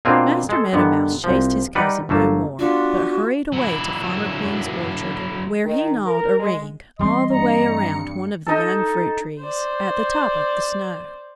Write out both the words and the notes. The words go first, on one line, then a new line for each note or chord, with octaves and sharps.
Master Meadow Mouse chased his cousin no more, but hurried away to Farmer Green's orchard, where he gnawed a ring all the way around one of the young fruit trees, at the top of the snow.
B2 A#3 C4 D4 F4 G#4
G#3 A4
G2 D3 D#3 B3
C2 F3
G3 D#4 B4 D5 F#5
G1 A3 A#3 A5
B3 D4 F4 F#4
F#3 E4
D#3
A#4
G#3
E3 G3 C4 D#5 C6
G2 A#5 C#7
D#4 A4
C5 D5